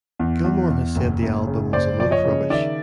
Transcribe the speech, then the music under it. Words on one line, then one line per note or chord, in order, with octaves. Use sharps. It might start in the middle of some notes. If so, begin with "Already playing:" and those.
Gilmour has said the album was a load of rubbish.
E2
E2
E2
F#1
F#1
C#3
F#1 C5 D5
F3 D5
C#5 D#5
C#3
D#3 D5 E5